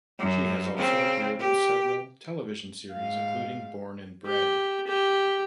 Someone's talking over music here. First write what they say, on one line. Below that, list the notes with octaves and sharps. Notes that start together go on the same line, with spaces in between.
She has also appeared in several television series, including "Born and Bred".
F#2
C#3 C4
G4
G#2 F5
G4
G4